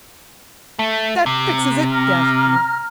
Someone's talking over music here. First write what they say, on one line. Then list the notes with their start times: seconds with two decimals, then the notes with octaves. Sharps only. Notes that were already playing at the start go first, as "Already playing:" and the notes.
"That fixes it!" gasped one.
0.79 A3
1.26 C3
1.91 A#5 F6